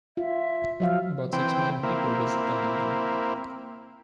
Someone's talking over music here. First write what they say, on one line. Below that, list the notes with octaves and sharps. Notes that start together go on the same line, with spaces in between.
About six million people visit them annually.
F4 E5
F3 F#3 F4 E5 F5
E3 C4 G5
A#3 C4 E4